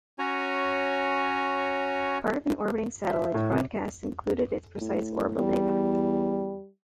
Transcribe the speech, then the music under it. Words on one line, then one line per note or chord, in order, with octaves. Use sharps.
Part of an orbiting satellite's broadcast included its precise orbital data.
C#4 F#4 C#5 G#5 A#5
E5
A2
C3
A2
E2 G3